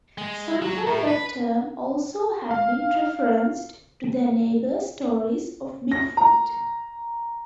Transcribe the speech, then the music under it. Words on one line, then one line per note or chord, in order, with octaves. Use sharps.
Somehow that term also had been referenced to their neighbors' stories of bigfoot.
G#3
F#3
A2
B4
F5
A#6
A#5